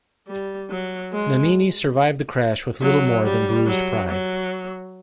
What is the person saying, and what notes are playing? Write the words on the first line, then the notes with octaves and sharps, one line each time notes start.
Nannini survived the crash with little more than bruised pride.
G3
F#3
G#3
F#3
G3
F#3
F#3